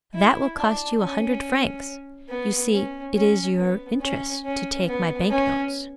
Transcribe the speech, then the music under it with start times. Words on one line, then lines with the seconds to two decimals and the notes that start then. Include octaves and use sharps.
"That will cost you a hundred francs; you see it is your interest to take my bank-notes."
0.14 E4
0.57 D4
1.01 C#4
2.29 B3
2.72 C#4
3.15 C#4
3.58 B3
4.01 C#4
4.45 C#4
4.87 B3
5.30 C#4